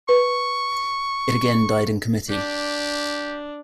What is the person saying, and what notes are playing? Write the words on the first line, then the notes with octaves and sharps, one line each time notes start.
It again died in committee.
B4 C#6
D4 G4